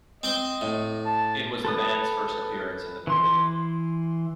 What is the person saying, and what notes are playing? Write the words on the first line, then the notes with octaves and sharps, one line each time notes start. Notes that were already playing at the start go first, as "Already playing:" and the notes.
It was the band's first appearance in the Parade.
C4 C5 D#5 C6
A2
A5
A4 B4 D#6
E3 C6